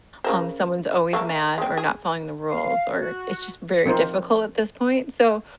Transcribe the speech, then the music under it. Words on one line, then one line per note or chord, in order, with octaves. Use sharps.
um, someone's always mad or not following the rules, or it's just very difficult at this point, so,
C#3 A#4 C5
A3 A#3 A4
G#3 C4
G#4
F5
F#4
F3 C4 D#4 A#4 C5